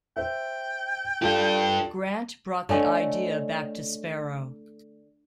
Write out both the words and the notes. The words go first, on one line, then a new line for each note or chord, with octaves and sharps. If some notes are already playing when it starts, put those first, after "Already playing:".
Grant brought the idea back to Sparrow.
C5 E5 G5
D4 F4 G4 A4
D3 A3 C#5 D#5 G#5